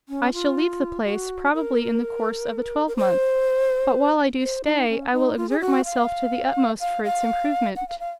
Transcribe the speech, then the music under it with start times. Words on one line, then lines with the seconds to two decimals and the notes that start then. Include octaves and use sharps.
I shall leave the place probably in the course of a twelve-month; but while I do stay, I will exert myself to the utmost for its improvement.
0.09 C#4
0.33 F4
1.05 F#4
1.53 A#4
2.87 A#4
2.97 C5
4.40 C5
4.64 D#4
4.89 C#4
5.12 D#4
5.37 F4
5.49 G#4
5.60 F#4
5.85 F5
6.80 F5
7.04 F5
7.76 F#5
7.89 F5
8.00 F5